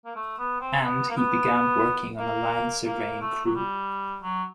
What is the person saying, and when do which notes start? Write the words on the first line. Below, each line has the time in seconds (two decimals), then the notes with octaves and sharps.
And, he began working on a land surveying crew.
0.05 A#3
0.16 A3
0.39 B3
0.61 C4
0.84 B3
1.09 A#3
1.17 B3
2.19 A#3
2.87 A#3
3.21 A3
3.46 F#3
3.55 G3
4.23 F#3